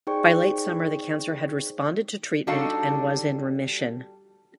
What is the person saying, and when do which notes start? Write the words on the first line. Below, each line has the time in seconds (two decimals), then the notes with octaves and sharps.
By late summer the cancer had responded to treatment and was in remission.
0.07 D#4 G#4 C5 D5 G5 C#6
2.47 G3 D4 D#4 F#4 A4 F5